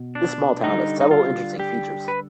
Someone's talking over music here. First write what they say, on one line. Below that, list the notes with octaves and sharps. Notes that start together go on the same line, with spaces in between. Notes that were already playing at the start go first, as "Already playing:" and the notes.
This small town has several interesting features.
Already playing: B2
D4
D3 G3 D#4
D#4
F4
G4
B4